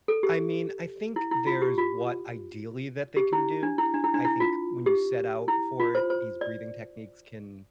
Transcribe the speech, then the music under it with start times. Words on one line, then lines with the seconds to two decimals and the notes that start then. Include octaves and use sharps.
I mean, I think there's what ideally that they can do. I think when you set out for it, these breathing techniques can
0.08 A4
0.23 G4
1.16 E4
1.31 E4
1.47 F4
1.62 G4
1.78 F4
3.17 G4
3.33 E4
3.63 D4
3.78 E4
3.94 D4
4.04 E4
4.14 D4
4.25 E4
4.40 F4
4.86 G4
5.48 E4
5.80 F4
5.95 C5
6.10 C5
6.41 D5